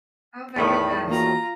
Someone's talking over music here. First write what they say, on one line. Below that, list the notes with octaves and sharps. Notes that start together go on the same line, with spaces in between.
Oh my goodness.
E2 A2 D#3 B3 A5 B5
E3 A#3 F4 F#4 A#5